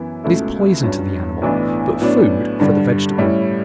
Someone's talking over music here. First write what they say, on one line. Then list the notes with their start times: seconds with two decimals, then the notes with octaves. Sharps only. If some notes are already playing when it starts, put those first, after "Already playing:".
It is poison to the animal, but food for the vegetable.
Already playing: F#2 E3 B3 E4
0.24 C#2 B2 A3 E4
0.83 G2 F#3 C#4
1.42 B1 A2 E3 B3 D4
2.01 A2 F#3 B3 D4
2.60 G2 D3 G3
3.18 A2 G3 C#4 E4